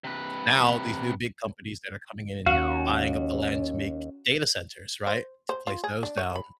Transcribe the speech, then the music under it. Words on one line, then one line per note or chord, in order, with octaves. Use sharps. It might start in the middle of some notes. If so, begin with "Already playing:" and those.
Now these new big companies that are coming in and buying up the land to make data centers, right, to place those down,
C3 B4
D#2 C#4 F#4 F5
C5
C5
F4
G#4
D4
C#5
B5